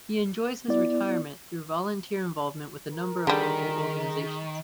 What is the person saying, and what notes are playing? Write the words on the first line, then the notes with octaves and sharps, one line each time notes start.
He enjoys his retirement through volunteer involvement with a number of local organizations.
B3 E4 D5
A#4
D3 D#3 G3 G#4 A#5 B6